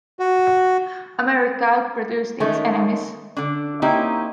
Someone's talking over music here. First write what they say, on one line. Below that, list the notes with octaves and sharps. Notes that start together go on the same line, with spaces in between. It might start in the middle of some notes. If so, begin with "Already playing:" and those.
America outproduced its enemies.
F#4
D#3 G#3 A3 C#4
D3 D4
A#3 C4 C#4 D#4 E4 G4